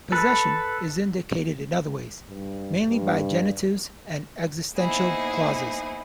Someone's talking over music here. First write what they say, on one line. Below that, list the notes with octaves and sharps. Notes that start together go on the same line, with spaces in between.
Possession is indicated in other ways, mainly by genitives and existential clauses.
A4 B4
G2
G2
A#3 B3 D#4 E4 G#4 C5